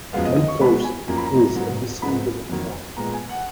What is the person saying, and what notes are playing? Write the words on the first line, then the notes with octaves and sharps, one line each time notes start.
"Mentos" is the singular form.
F#2 F3 G#3 B3 F5
D#5
D#5
C#6
B2 G#3 B3 B5
G#5
F#2 F3 A#3 A#5
B5
A#5
G#2 F#3 B3
G#2 F3 G#3 B3 B5
F2 D#3 F#3 A#3
A#2 G#3 B3 A#5
G#5
F#5